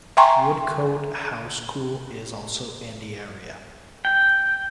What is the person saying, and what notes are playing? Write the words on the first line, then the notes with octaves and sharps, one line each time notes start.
Woodcote House School is also in the area.
E5 G5 G#5 A#5 C6 C#6
G5